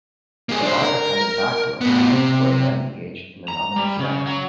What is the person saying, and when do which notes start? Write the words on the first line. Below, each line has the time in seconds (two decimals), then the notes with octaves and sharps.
The bar had a backroom where men engaged in anonymous sex.
0.49 A#3 G#4
0.63 D4 C5
0.83 A#4
1.81 A2 B3
2.11 C3
3.48 A#5
3.76 G3
3.99 C#3
4.27 F#3